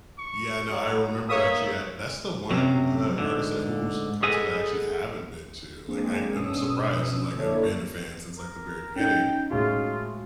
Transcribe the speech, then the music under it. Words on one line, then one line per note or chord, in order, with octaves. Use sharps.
yeah, no, I remember actually, I that's the one, uh, artist that whose concert I actually haven't been to, like, I I'm surprised, 'cause, like, I've been a fan since, like, the very beginning,
C#6
F#3
A#3 C#5 E5 D#6
F#2 C3 F#3
G#2 D3
G#4 A4 B4 D#5 F#5 G#5
G#3 A#3 C4 D4 G#4
B2 C#4 D4 D#6 E6
D3 A#3 E4 A4 C#5 D5
A#4
C#4 D#4 G5
A2 G#3 F4 F#4